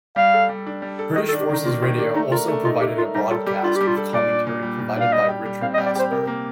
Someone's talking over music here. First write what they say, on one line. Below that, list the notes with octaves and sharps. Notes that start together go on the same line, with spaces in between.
British Forces Radio also provided a broadcast with commentary provided by Richard Astbury.
G3 F5
A4
G3
D4
G3
A4
D#3 D#5
A4
D4
G4
D#3 D#4
A#3 F4
D#3 F4
D4 G4
A3 D#4
F4 A#4
A3
D#4 F4
A3 G4
F4 A#4
G3 D#4
F4 A4
G3 G4
D4 F4
G3 G4
F4
A4
A#2 D5
D4
A#2
G3
A#2
D4 F5
G3 D#5
G4
G3
C4 F5
D#5
G3
D5
G4 C5
C3 A#4
A#3